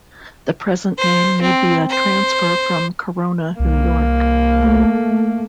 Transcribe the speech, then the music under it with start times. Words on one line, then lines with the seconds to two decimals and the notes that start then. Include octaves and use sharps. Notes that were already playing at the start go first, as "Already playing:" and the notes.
The present name may be a transfer from Corona, New York.
0.98 C5
1.41 C4
1.90 C5
3.59 C2 A#3
4.59 A3